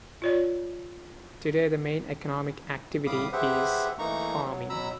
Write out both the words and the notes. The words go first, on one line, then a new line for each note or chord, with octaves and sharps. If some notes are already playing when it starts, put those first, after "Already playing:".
Today the main economic activity is farming.
F4 C#5 D5
A2 G3 F5 B5 D6 D#6
G4 G#4 B4 C5 E5 F#5
E3 A3 A#3 D#4 A#5 C#6
F#3
B2 F#3 A#5 B5 E6